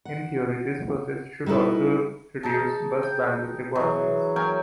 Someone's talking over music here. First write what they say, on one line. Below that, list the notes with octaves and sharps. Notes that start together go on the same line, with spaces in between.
In theory this process should also reduce bus bandwidth requirements.
F#5
G3 D#4 E4 A4 B4
D#4 G#4 A5
G5
E3 F#3 G#4
F#3 A#4 G5 G#5